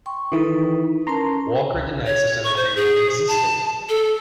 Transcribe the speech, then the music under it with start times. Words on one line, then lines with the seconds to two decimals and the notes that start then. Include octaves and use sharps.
Walker denied such an agreement existed.
0.06 G5 C6 C#6
0.32 D#3 E3 D#4 A4 B4
1.07 C#4 A#4 A5 A#5 C6
2.06 C#5
2.43 C#6
2.56 C5
2.75 G#4
3.28 A5
3.89 A4